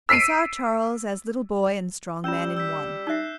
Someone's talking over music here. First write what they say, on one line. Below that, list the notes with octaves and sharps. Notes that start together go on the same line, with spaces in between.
He saw Charles as little boy and strong man in one.
E6 B6 C7 D7 D#7
G3 C#4 F4 E6 G6 E7
E6 G6 B6
D#4 E5 E6 F#6 C7